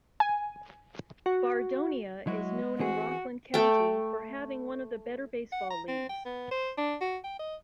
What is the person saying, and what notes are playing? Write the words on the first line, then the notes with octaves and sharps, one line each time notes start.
Bardonia is known in Rockland County for having one of the better baseball leagues.
G#5
F#4
F#3 G#3 E4 F#4
E3 C4 F#4 G#4
A3 G5
F#5
A#5
C4
G5
B3
C5
D4
F#4
G5
D#5